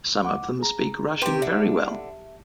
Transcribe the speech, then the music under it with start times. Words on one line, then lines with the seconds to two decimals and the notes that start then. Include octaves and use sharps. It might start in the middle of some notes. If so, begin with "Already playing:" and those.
Some of them speak Russian very well.
0.23 D2 F#5 D6
0.59 G#4 A#5
1.22 C3 G4 B4 G5 C6
1.42 D3 E5